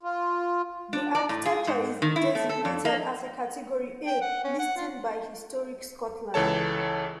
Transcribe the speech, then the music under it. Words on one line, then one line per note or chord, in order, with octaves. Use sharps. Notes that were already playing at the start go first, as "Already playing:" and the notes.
The architecture is designated as a Category 'A' listing by Historic Scotland.
F4
D4
D5
A2
G#4
G#2
D#3
E4
A3
A4
F2
A#3
G5
F#5
C#4
F#5
F4
C#2 E3 A4 C#5 A5